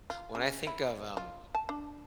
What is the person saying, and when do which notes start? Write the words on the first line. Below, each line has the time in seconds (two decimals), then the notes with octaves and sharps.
when I think of, um,
0.10 F4
0.35 C#3
0.67 E4
1.17 F4
1.55 A5
1.69 D4